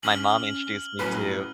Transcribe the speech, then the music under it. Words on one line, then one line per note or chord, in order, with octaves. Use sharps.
my mom introduced me to.
C#4 F6 F#7
A2 F#3 C#4 B4